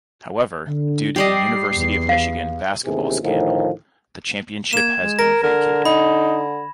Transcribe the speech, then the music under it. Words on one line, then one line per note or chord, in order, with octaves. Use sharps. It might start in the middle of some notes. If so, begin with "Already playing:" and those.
However, due to the University of Michigan basketball scandal the championship has been vacated.
D3
G3 G4 D5 D#5 C7
E2
F5
A1 D#2 C3 G#4
D2 A2 D#3 F3
A#3 G#6 E7
G#3
A#4 A#6
D3 A#4
D#4 B5